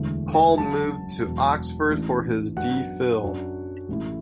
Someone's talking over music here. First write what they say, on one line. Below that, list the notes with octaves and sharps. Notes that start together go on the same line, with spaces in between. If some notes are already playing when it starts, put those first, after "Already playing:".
Paul moved to Oxford for his D Phil.
Already playing: E1 D2 D3 A3 E4
F#1 F#2 F#3 A5
E1 E2 B2 F#3
A1 A2 E3 D4
F#2 F#3 B3 D4 F#5
F#2 F#3 D4
A1 A2 A3 E4